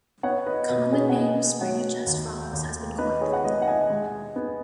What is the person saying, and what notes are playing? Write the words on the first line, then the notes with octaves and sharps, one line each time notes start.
Common name spiny-chest frogs has been coined for them.
B3 C#5 F#5
B4 D#5
B2 B4 D#5
G#4 C#5
F#5
B3 D#5 G#5
F#3 C#5 F#5
D#2
D#2
B3 B4 D#5
G#4 C#5
F#5
G#3 B4 D#5
F#5
D#5 G#5
G#3
B3